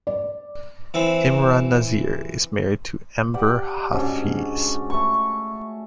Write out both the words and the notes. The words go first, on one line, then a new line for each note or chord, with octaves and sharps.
Imran Nazir is married to Amber Hafeez.
D5
E3 C4
G4 D5 F#5
G#2 C#4 D4 F#4
A3 C#6